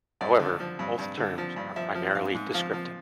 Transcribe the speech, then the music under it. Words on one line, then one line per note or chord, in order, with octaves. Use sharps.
However, both terms are primarily descriptive.
G2 D5
D3
F3
G2
G2
D3
F3
G2
F3 E5
F3
G#2 F5
G#2
F3 F5
F3